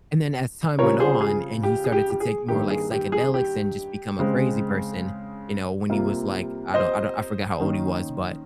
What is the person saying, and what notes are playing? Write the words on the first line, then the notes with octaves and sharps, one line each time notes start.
And then as time went on, and he started to take more, like, psychedelics, and just become a crazy person, you know, when he was, like I don't I don't I forgot how old he was, but
C#3 G3 C4 F4 A#4 C#5
G#4 C5
G#4
G4
G#4
G4
G4
G#4
G2 D#3 A#3 G4
G#4
G4
G#4
G4
C#3 G#3 C4
C3 G3 A#3 F4
C5 D#5
D#3 A#3 C#4